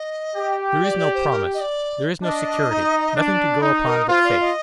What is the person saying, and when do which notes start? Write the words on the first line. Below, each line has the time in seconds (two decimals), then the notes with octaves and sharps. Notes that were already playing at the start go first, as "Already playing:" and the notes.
There is no promise, there is no security--nothing to go upon but Faith.
Already playing: D#5
0.36 G4
0.83 D5
0.98 D5
1.14 C5
1.30 A#4
1.54 D#5
1.60 D5
2.22 D4 D#5
2.69 D#4
3.16 D4
3.62 D#4
3.85 A#4
4.08 F4 C5
4.23 D5
4.40 D#5